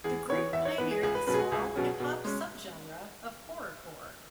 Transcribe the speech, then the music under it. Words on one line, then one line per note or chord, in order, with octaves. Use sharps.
The group pioneered the small hip-hop subgenre of horrorcore.
E2 G#4
E3 B3 C#5
E2 E5
C#5
E3 B3 B4
G#4
C#2 G#4
B4
B2 F#3 C#4 B4
G#4
F#4
C#2 G#4
B2 F#3 C#4
B2
G#3 C#4